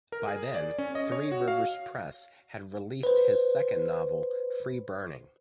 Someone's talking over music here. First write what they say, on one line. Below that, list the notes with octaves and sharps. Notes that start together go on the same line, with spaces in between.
By then, Three Rivers Press had released his second novel, "Free Burning".
A#4
G#4
D5
C#4
D#5
C#5
F#4
F5
B4 C5